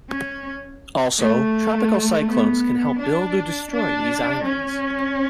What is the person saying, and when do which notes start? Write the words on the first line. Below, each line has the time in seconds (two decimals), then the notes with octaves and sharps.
Also, tropical cyclones can help build or destroy these islands.
0.10 C#4
1.19 A3
2.27 B3
2.99 D4
3.71 D4
4.43 C#4